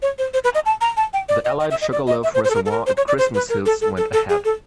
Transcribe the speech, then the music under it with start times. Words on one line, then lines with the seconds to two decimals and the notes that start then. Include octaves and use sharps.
The allied Sugarloaf Reservoir at Christmas Hills went ahead.
0.02 C#5
0.18 C5
0.34 C5
0.44 B4
0.55 D#5
0.65 A5
0.81 A#5
0.97 A5
1.13 G5
1.29 D5
1.44 D#5
1.60 D#5
1.70 E5
1.81 D#5
1.92 D5
2.07 D#5
2.23 E5
2.34 C5
2.44 C5
2.50 A4
2.55 A#4
2.65 A4
2.71 A#4
2.86 C5
2.97 C#5
3.08 D5
3.18 C5
3.34 B4
3.49 A#4
3.66 A4
3.81 A4
3.97 A4
4.13 A4
4.29 G#4
4.45 A4